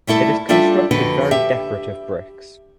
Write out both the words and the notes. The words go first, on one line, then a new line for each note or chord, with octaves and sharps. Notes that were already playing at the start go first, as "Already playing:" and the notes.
It is constructed very decorative bricks.
G3 A3 E4 A4
G3 D4 F4 A4 E5
F2 D3 F#4 B4
G4 E5